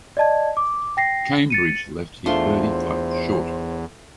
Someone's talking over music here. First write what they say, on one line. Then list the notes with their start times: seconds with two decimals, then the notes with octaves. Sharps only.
Cambridge left his birdie putt short.
0.17 D5 D#5 A5 G#6
0.57 D6
0.97 G5 A#6 C7
1.50 A6 C#7 D#7
2.26 E2 A3 D4 F4 C5 C6